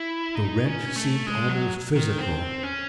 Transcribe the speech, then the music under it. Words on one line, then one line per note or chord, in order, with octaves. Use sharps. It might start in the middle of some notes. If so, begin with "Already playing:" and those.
The wrench seemed almost physical.
Already playing: E4
D#4
C#4
A3
G#3
F#3
D#3
C4
C#4